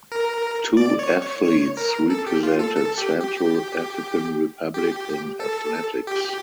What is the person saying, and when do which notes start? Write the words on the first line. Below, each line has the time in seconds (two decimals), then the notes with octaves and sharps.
Two athletes represented Central African Republic in athletics.
0.12 A#4
0.77 D5
0.99 C#5
1.22 C#5
1.44 C#5
1.77 A#4
2.10 A4
2.27 G4
2.43 F4
2.59 A4
2.77 A4
2.98 G4
3.20 G4
4.74 G4
5.40 A4
6.07 G4